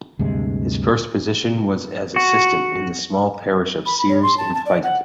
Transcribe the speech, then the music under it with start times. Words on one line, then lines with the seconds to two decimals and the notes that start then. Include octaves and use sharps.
His first position was as assistant in the small parish of Ceres in Fife.
0.19 D2 G2 C3 G#3
2.16 F#4
3.86 B5
3.98 B5
4.09 C#5
4.22 C6
4.38 A5
4.54 A5
4.66 D5
4.83 F#5